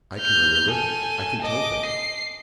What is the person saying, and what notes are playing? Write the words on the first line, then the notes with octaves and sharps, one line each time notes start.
I can remember; I can tell things!
F6 G6
A4 G#5
D#5 D6
C7